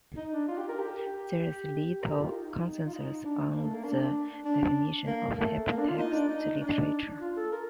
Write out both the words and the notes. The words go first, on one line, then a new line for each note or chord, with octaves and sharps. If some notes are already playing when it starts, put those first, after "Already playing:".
There is little consensus on the definition of hypertext literature.
D#4
D4
F4
G4
A#4
G4
G4
A#4
G4
F4
D#4
F4
D#4
D4
A#3
A3
A#3
D4
D4
A#3
A3
A#3
D4
F4
D#4
D4
D#4
D4
F4
A4
A#4